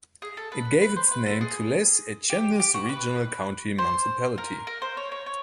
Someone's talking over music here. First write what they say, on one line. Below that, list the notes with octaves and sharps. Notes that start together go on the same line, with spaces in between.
It gave its name to Les Etchemins Regional County Municipality.
G#4
A4
B4
B4
C5
B4
A4
G#4
G4
G4
F#4
B4
C5
A#4
A#4
C5
C#5
C#5
C#5